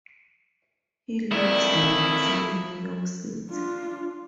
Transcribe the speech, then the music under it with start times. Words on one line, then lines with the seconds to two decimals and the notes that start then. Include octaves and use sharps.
He lives and works in New York City.
1.31 F2 D#3 E4 F4 D5 F5
3.50 D4 F4